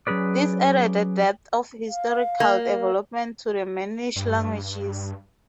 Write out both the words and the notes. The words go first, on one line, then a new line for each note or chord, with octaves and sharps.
This added a depth of historical development to the Mannish languages.
F#3 C#4 G#4 B4 D5
F5
A#3
G2